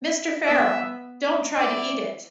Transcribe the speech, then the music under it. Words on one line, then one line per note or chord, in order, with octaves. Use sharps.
Mr. Farrell, don’t try to eat it.
B3 E5
E4 D5